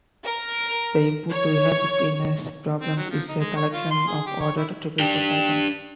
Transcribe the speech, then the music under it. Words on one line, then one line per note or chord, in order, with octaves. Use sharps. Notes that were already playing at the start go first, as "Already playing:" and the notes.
The input to a betweenness problem is a collection of ordered triples of items.
A#4
C#5
C4
F#3
F3
D#4
G#3
C#5
F4
C6
G#4
G4
C#5
E4
D4 G4